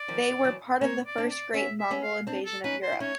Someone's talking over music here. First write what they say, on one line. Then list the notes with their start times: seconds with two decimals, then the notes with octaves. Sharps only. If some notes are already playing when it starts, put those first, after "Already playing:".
They were part of the first great Mongol invasion of Europe.
Already playing: D5
0.08 D#3 F3
0.45 E3 F#3
0.81 A#3 C4 C#5
1.06 D5
1.18 C4 D4
1.30 D5
1.54 B3 C#4 E5
1.79 E5
1.91 B3 C#4
2.02 F5
2.27 C4 D4
2.46 A4
2.64 C#4 D#4 B4
2.82 C5
2.92 E4
3.00 C#4 D#4 C#5